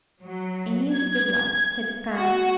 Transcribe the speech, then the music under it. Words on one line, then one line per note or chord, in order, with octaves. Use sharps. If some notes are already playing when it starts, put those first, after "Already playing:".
'Amy is a good wife,' said Guy.
F#3
G#6
F#4